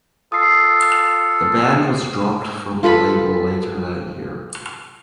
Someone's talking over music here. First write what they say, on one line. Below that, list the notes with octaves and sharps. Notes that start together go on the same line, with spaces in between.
The band was dropped from the label later that year.
F4 A4 D#6 C7
F4 A4 B4 B5